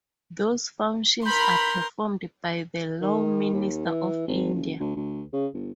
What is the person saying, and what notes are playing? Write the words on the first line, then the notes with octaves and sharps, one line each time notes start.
Those functions are performed by the Law Minister of India.
A#4 B5 C6 G6
D#3
D#2
E3
G#1
F#1
D2
D2
C#3
G1